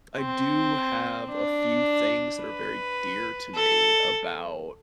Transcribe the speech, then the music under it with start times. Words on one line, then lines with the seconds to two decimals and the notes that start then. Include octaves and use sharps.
I do have a few things that are very dear to me about
0.17 C4
1.30 D4
2.42 B4
3.55 A4